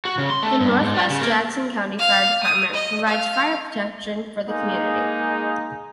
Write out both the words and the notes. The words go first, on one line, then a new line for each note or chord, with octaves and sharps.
The Northwest Jackson County Fire Department provides fire protection for the community.
F#4
C#3
C6
A3
G2
G#2
G3
C#3
A#3
F5
D#6
D#5
F5
G#3 A#3 D#4 G#4